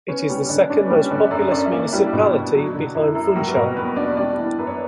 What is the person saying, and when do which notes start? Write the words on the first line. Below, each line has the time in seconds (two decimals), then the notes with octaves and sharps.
It is the second most populous municipality, behind Funchal.
0.08 B3 C#4 C#5
0.29 G3
0.49 D3 D4 D5
0.70 C#4 D4 C#5
0.85 B4
0.90 G3 C#4 C#5
1.11 D3 D4 D5
1.27 E5
1.31 F#2 D4 D5
1.51 C#4 D4 D5
1.65 E5
1.72 A#3 D4 D5
1.93 G3 E4
2.13 B2 D4
2.33 B2
2.54 F#3
2.74 D3
2.95 F#2 E4
3.15 F#2
3.35 F#3 G3 F#4
3.47 B4
3.55 B2 A#3 A#4
3.76 E2 B3 B4
3.96 E2 D4 D5
4.17 G3 D4 D5
4.37 E3
4.58 F#2 B4
4.67 C#5